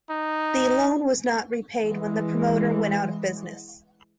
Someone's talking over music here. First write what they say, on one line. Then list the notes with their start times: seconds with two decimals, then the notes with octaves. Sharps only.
The loan was not repaid when the promoter went out of business.
0.10 D#4
1.83 E3 G#3